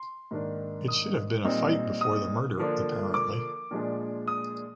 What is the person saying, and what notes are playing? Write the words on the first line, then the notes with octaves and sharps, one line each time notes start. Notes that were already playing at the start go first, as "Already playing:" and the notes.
It should have been a fight before the murder apparently.
Already playing: C6
G#2 D#3 A#3 D4
D#6
A#2 G3 C4 D#4
D#6
D3 F3 A#3 D4
D6
A#2 F3 G#3 D4
D#6